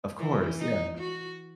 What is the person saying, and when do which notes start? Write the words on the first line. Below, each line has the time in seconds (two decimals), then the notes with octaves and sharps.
Of course, yeah.
0.19 E3
0.59 D#4
0.98 F#4